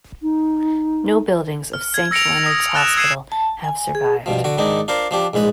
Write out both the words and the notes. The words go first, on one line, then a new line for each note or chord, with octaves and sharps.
No buildings of Saint Leonard's hospital have survived.
D#4
F6
G#6
E6 A#6 C#7 D7 F7
D#6
F6 F#6 A6 E7 F7
E6 G#6 C7 C#7 D#7 E7
A5
G#5
G#4
G2 B2 F3
D3 F#4
G#2 D#3 D4 D#4
D4 F4 A#4 C5
F3 D4 G4
A#1 G#2 G#3 B4